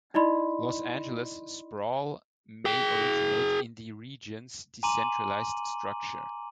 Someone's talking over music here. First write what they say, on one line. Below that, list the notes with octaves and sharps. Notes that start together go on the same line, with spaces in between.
Los Angeles' sprawl may originate in the region's decentralized structure.
D#4 E4 D5 D#5 B5 C6
G#4 G5
G#5 A#5 C6 D6 D#7 F#7